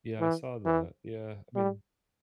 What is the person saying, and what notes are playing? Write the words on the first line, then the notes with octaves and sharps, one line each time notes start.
Yeah, I saw that. Yeah, I mean
E3
E3
G3